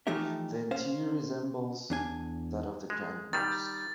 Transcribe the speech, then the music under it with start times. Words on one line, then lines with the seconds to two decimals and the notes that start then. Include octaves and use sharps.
The interior resembles that of the Grand Mosque.
0.07 E3 F3 A3 D#4 G4 E5
0.71 C#4 C5 F5
1.90 E2 D4 G#5
2.90 G#3
3.33 D#3 G3 A6